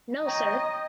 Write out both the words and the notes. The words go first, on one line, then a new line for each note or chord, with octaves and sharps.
No sir!
C#5 D#5 G5 A#5